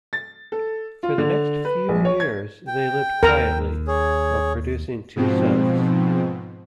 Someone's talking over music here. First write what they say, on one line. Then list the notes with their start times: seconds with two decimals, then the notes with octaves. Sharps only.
For the next few years they lived quietly, while producing two sons.
0.13 A6
0.52 A4
1.03 F4
1.18 D3
1.65 B4
1.89 A#1
2.05 C#5
2.20 G#6
2.67 G5
3.23 D#2 A#4 A#5
3.88 G#4 C#5
5.16 G#2 B2 F3 C4